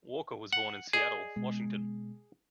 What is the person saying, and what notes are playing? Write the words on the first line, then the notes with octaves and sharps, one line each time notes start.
Walker was born in Seattle, Washington.
F#5
G#4 D5 D#5 G#5
B2 G#3